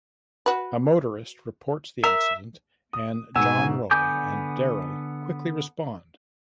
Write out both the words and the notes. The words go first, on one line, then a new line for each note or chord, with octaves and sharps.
A motorist reports the accident and Jon Roy and Darryl quickly respond.
F#4 B4
A#4 E5
D#6
G#2 B2 F#5 G#5 E6 E7
D3 B3 G#5 D6 G6